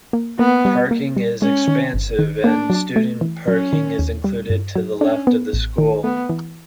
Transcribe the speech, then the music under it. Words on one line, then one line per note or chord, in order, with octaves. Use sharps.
Parking is expansive and student parking is included to the left of the school.
A#3
A#3 B3
G3
A#3
G3
G#3 C#4
D#3
G1
D#3
A#3 D4
F#3
A3
E3
F#3 C#4
D#3
D#2
G3
G2
F#3
C#4 D4
B3
A1
D#3
A3 B3
E3